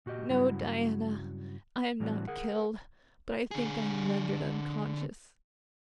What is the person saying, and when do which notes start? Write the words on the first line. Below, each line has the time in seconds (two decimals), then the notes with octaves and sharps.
"No, Diana, I am not killed, but I think I am rendered unconscious."
0.06 A#2 F#4 G4 D#5
0.29 G2 C#3 F#3 G3 E4 F#4
2.00 A2 E3 G3 C4 D4 F#4
2.28 G#4 A#4 F#5
3.51 D3 G#4